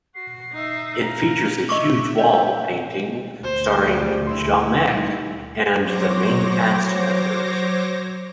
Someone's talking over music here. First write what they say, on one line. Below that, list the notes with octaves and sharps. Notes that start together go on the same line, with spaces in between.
It features a huge wall painting starring Jommeke and the main cast members.
F#4 C7
D#4 E5
F5 A#5
D4 D#5 E5 C#6 D6 E6
D#5 G6
D2 C5
G3 G#4 C5
E4 C6
G3 D#4
F#3 C5 C#5 D6 A#6